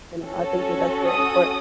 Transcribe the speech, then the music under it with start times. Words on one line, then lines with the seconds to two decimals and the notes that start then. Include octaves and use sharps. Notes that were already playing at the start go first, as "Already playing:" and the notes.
You know, I think that that's very important.
0.24 C#4 F#4 A4
1.06 D#6